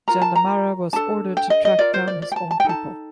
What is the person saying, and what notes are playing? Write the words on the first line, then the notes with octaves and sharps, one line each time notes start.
Jandamarra was ordered to track down his own people.
F4 A#4 A#5
A5
A#5
D4 A4 A5
G5
D#5
D#5
F4 A#4 D5
C5
D5
D5
G5
A5
A5
G5
D#4 A4 A5